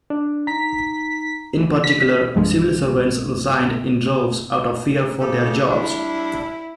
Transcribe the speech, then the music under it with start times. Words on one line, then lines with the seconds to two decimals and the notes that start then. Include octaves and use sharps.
In particular, civil servants resigned in droves out of fear for their jobs.
0.10 D4
0.47 D#4 A#5 B6
1.84 B6
2.35 C2 G2 F3 G#3
5.20 C#3 G4 A4
5.68 G3 D4 E4